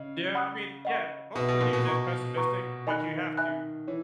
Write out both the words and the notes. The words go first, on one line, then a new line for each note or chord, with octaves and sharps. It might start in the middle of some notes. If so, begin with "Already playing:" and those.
Yeah, I mean Yeah, most of the news is pessimistic, but you have to
Already playing: C#3 D#5
F#5 B5 D#6 F#6
D#5 F#5 C#6
B2 G#4 B4 E5
B2
A#2
B2
D#5 A#5 C#6
B4 F#5 A#5 C#6
D#3 D#5 G#5 B5 F#6
E5 G#5 B5 F#6
E3 C#5